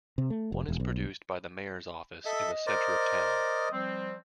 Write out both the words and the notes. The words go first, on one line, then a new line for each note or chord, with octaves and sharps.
One is produced by the mayor's office in the center of town.
C3
A3
F1
E1
B1
A4 D#5 E5
A#4 C5 D5
F3 G3 C4